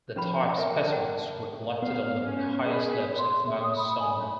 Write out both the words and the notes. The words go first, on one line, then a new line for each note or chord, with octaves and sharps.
The type specimens were collected on the "higher slopes of Mount Sonder".
F3 C#4 B4 B5
A#4 E5 G#5
F#5 G5 A5
B3 F5
C#4
G#4 B4
C6
E5
D#6
B5
G#5
B5